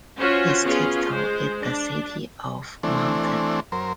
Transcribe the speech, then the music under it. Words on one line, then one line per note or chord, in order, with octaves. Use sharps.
Its capital is the city of Multan.
C#4 F4 F#4 C5
B3 C#4 F4 G#4
G#3 C5
D4
E3 A3 C4 D4
F#2 A#4 C5